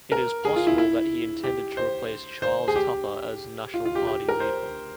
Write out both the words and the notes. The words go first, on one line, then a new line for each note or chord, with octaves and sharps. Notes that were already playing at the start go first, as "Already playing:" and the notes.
It is possible that he intended to replace Charles Tupper as national party leader.
A#4
G#4
F4
E4
E4
G4
C5
C5
G#4
G4
F4
F4
G4
G4
A#4
C5